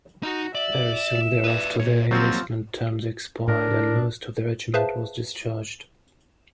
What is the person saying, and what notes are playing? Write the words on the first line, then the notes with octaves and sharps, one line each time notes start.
Very soon thereafter, their enlistment terms expired, and most of the regiment was discharged.
D#4 F#4 A#5
D5 E5 F#7
E7
B4 D5
A#2 C#5
F3 F#3 A#3 C4 F#4 G4 A6
A2 D4 A#4
G#4 B4 C5 E5 F5 A5